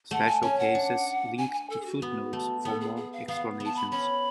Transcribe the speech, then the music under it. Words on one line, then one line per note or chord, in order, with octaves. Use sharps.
Special cases link to footnotes for more explanations.
A3 F#5
G#5
C#4 G#5
F#5
D4
G#5
G#5
A4
G#4
F#4
B3
A3
B3 A4
G#4
G#4
F5
B3 F5
B3
A5
B5
C#4 B5